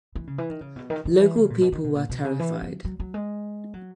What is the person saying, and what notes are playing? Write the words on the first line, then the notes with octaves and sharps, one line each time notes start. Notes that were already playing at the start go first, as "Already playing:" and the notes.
Local people were terrified.
E3
C#3
E3
D#3
C#3
B2
D#3
D#3
E3
C#3
A#2
B2
D#3
B2
A#2
B2
C#3
E3
F#3
F#3
F#3
G#3
F#3